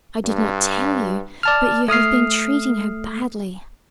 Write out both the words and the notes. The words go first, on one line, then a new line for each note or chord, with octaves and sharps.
I did not tell you, but you have been treating her badly.
G2
D5 A5 F6
A3 D#6 F6 C7